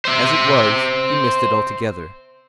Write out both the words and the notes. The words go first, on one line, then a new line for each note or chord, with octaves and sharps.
As it was, he missed it altogether.
C5 E5